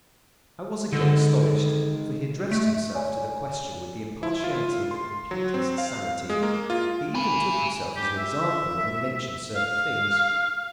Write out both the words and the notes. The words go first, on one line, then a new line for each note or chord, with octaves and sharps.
I was again astonished, for he addressed himself to the question with the impartiality of the completest sanity; he even took himself as an example when he mentioned certain things.
D3 D#3 G#3
A3
C#5 D5 G#5
E4
F4
C6
F#3
C4
F5
G#3
A#3
F4
G#5 B5
G4
E5
F5